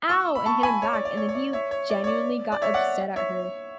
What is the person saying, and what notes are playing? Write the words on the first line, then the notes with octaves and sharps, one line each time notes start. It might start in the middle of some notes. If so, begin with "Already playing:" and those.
"Ow!" and hit him back, and then he genuinely got upset at her,
C#6 E6
B5
A5 C#6
G#5 B5
C#5
D5
D5
C#5
C#5
D5
C#5 E5
C#5
D5
C#5
D5
D5
C#5 E5
D5 F#5
C#5 E5